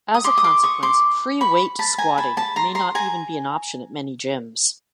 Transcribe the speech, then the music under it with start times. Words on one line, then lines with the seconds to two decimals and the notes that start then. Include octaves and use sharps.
As a consequence, free-weight squatting may not even be an option at many gyms.
0.14 D#6
0.24 C6 D6
0.37 D#6
0.44 C6 D6
0.63 C#6 D#6
0.83 C6 D6
1.41 B5 C#6
1.79 A5 B5
1.98 G#5 A#5
2.18 A5 B5
2.37 A5 B5
2.56 A#5 C6
2.75 A#5 C6
2.95 G#5 A#5